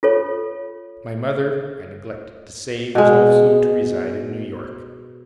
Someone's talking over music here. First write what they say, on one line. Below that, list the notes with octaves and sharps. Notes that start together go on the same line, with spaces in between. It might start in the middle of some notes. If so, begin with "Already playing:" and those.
My mother, I neglected to say, was also to reside in New York.
F4 A4 C#5
B2 G#3